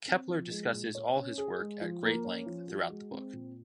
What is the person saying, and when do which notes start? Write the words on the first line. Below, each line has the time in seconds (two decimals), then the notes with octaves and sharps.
Kepler discusses all his work at great length throughout the book.
0.08 C4
0.29 F3
0.51 G#3
0.73 A#2
0.95 C#5
1.16 C#4
1.38 G#4
1.60 G#3
1.81 F3
2.03 A#3
2.24 C#4
2.46 F3
2.68 F#4
2.90 G#3
3.11 C4
3.33 A#2